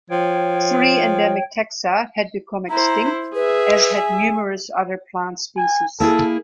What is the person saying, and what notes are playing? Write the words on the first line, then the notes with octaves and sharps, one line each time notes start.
Three endemic taxa had become extinct, as had numerous other plant species.
F3 C#5 G5
E4 C5 A#5
G#4 B4 E5
G#5
G#5
A#3 E4 G#4 A4